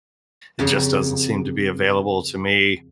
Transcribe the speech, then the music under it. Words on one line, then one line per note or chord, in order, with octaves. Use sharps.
it just doesn't seem to be available to me
F2 C#3 G4 A#4 C#5